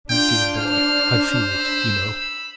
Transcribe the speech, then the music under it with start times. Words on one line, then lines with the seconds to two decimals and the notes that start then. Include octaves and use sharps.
My dear boy, I feel it, you know.
0.10 D4 F4 G5 G6
0.56 C5 F6
1.56 B5 E6